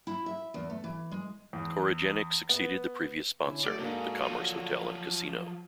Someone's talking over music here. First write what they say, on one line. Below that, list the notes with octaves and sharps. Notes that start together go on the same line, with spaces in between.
Coregenx succeeded the previous sponsor, The Commerce Hotel and Casino.
E4
E5
E2
A3
E3
G#3
E2
B3
D3 C#4 E4
F#2 A2 F#4 D5
G#2 A#3 D4 A4
F3 F#3